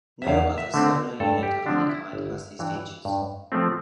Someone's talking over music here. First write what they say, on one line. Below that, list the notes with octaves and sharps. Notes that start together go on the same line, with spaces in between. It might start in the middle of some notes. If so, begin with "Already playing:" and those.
No other sonar unit of any kind had these features.
E5
E2 F5
E5
D3 A3 C4
G2 A4
G4
D3 F3 C4 D4
E4
G1
G2 E3
G2
F3 A3 C4